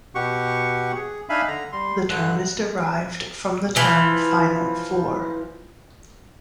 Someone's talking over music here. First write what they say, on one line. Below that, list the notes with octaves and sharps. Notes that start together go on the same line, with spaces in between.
The term is derived from the term Final four.
B2 G4 F#5 C#6
G#4
D4 D#4 E5 F5 G#5 B5
D3 A#5
G3 C6
G2 D3 F#6
E3 F3